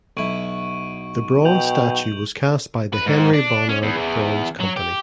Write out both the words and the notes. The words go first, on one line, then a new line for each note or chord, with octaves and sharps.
The bronze statue was cast by the Henry Bonnard Bronze Company.
B1 E4 C#6 D7 D#7
B2 G5 G6 F7 F#7
B4
G#2
D4
C#4
E2
E2
F#3
G4